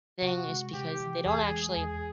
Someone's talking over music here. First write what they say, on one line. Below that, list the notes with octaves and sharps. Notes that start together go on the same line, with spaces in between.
thing is because they don't actually
C3 F#4
G#3
C3 G4
E3
E2 G#4
G#3
E2 G#4